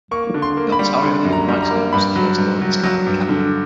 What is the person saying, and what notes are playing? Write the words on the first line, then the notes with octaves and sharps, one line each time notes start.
The Ontario "Human Rights Code" was the first law of its kind in Canada.
A#3 C#6
D3
C6
A#3
B5
G3
D3 C6
F#2
A#5
G3
A#5
A#3
G2 B5
F#3
G2
F#3
F#3
G2
D3